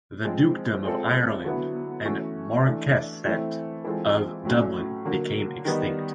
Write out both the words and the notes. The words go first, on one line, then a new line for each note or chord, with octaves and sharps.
The Dukedom of Ireland and Marquessate of Dublin became extinct.
F3 G#3 C4
G#3 C4 F4 A4
D3 F#3 B3 E4
E3 A3 C#4 F#4
E3 A3 D4
E3 A3 C4 E4
E3 G#3 C4 F4 A4
A2 F#3 A3 C#4
D3 F#3 A#3
D#3 G3 B3 D#4